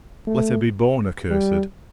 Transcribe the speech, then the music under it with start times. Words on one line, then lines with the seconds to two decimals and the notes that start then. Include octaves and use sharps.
Let her be born accursed.
0.27 A3
1.31 G3